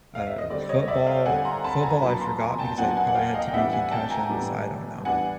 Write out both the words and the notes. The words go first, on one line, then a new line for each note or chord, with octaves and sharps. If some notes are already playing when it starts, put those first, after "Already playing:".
uh, football. Football, I forgot because I probably had too many concussions, I don't know,
F5
E5
D#5
D3 G3 C4 D5
C#5 D#5
D5 E5
F5 G5
D3 G3 C4 F#5 G#5
A#5 C6
A5 B5
G#5 A#5
A#2 F#3 B3 D4 A5 B5
A#5 C6
G#5 A#5
G5 A5
A#2 F#3 B3 D4 F#5 G#5
F#5 G#5
F#5
F5 G5
D#5 F5
G5
A2 E3 G3 B3 D4 E5 F#5
F#5 G#5
G5 A5
G#5 A#5
A2 E3 G3 B3 D4
E3 G3 B3 D4 F#5 G#5